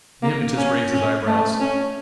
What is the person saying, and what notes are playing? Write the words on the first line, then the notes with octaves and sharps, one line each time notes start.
The hypnotist raised his eyebrows.
A#3
C#4
C#4
A3
C#4